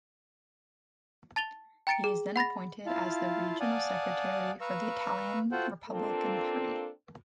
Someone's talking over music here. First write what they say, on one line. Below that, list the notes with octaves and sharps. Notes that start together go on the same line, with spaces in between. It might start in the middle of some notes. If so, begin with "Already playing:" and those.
He is then appointed as the regional secretary for the Italian Republican Party.
A5 A6 F7 G7
G5 A#5 A6 C#7 D7
G#4
F#5 B5 A6 A#6
E4 F4 F5 A5
D5 F5 F#5 G#5 A5 D#6
B4 F5 A#5 C#6 E6
F4 F#4 A4 C5 F#5 G5
A#3 C4 D4 F4 A4